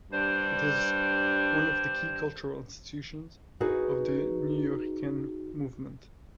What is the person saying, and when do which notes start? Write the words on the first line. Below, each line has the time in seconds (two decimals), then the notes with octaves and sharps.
It is one of the key cultural institutions of the Nuyorican Movement.
0.11 G2 G3 D4 C5
3.60 D#4 F#4 G#4 B4